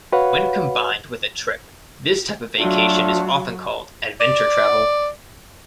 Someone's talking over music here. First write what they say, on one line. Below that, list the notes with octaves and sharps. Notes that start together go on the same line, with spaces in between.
When combined with a trip, this type of vacation is often called adventure travel.
F#4 B4 C#5 F5 F#5 B5
F#3 A3 D4 F4 F#4
D5